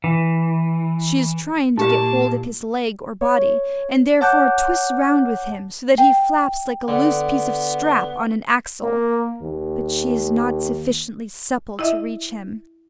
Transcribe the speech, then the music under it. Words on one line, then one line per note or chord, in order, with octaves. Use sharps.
She is trying to get hold of his leg or body, and therefore twists round with him so that he flaps like a loose piece of strap on an axle; but she is not sufficiently supple to reach him.
E3
A#2 A#3 E4 G4 F5 A5
C#5
C#5 F#5 A5 D6 F#6 G6
G5
D3 B3
A#3
D#2
E4 D#5 E5